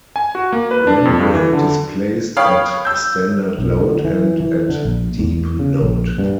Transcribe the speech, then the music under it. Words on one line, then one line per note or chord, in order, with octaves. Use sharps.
"Grenville" displaced at standard load and at deep load.
G#5
F#4
A#3
B4
D4
F2
G2
E3
D3
C#5 F5 G5 B5 D#6
E6 G6
B1
D3
E3
E3
D3
A#1
E2
C#3
A#1
G2